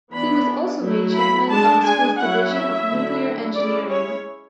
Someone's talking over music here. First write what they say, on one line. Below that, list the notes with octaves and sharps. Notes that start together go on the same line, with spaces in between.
He was also made chairman of the school's division of nuclear engineering.
E3 B3 D4 B5
F#3 A3 E4
B5
G#3 D4 A5
G#5
F#3 C#4 E4 F#5
E5
D3 F#3 A3 E4
G#3 C#4 E4 D5
C#5